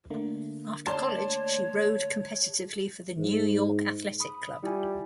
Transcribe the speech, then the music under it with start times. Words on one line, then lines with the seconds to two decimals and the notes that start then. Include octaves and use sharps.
After college she rowed competitively for the New York Athletic Club.
0.10 D3 A3 A#3
0.86 C#5 D5 A5 C6
3.19 G#2
4.20 B5 D#6
4.63 G3 E4 F4 G#5